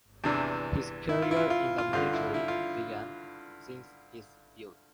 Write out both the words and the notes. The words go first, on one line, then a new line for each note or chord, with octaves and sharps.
His career in the military began since his youth.
E2 C3 E3 D4
E4
F4
E4
F4
F4
F4
G2 D3 F4
E4
E4
F4